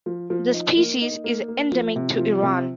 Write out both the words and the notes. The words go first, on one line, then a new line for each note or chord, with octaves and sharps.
The species is endemic to Iran.
F3
F3
D#4
A#3
D#4
A#3
A#3
F3
C3
F3
C3